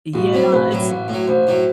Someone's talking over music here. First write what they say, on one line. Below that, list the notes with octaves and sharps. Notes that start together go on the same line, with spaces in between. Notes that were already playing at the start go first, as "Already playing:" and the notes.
Yeah, it's
A1 F#4
A2 F#3 C4
A1 B4
A2 F#3
A1
A2
F#3
A1 C5
A2 F#3